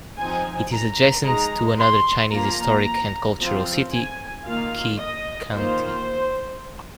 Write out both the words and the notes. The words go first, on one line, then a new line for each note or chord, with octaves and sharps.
It is adjacent to another Chinese Historic and Cultural City Qi County.
F3 C4 D#4 G#5
A#5
G#3 D#4 A#5
C6
F3 A#3 F4 A#5
F3 C4 F4
G#5
D#3 A#3 F4 F5
D#5
D#3 A#3 F4 C5